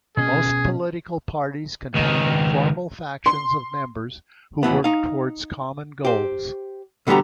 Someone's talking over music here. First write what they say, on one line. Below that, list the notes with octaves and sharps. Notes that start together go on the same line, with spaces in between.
Most political parties contain informal factions of members who work towards common goals.
B2 C#4 G#4
C#2 D#3
C6
D#2 B2 E3 B3
D#4 F5
G4 C5
B2 D3 G3 B3 G4 A#5